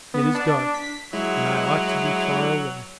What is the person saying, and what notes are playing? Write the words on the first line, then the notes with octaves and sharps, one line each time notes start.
It is dark and I ought to be far away.
B3
D4
B6
F#3 G#3 E4